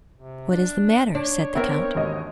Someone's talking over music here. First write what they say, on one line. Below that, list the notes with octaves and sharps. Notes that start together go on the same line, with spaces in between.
"What is the matter?" said the count.
C3
D4
D4 C#5
B3 C4 A#4 C5 E5
G#1 D#2 D#5